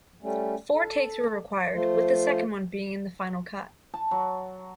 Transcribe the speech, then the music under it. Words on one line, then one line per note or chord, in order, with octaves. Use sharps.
Four takes were required, with the second one being in the final cut.
G3 A3 C#4
A4
F3 A3 F4 C5
A5
F#3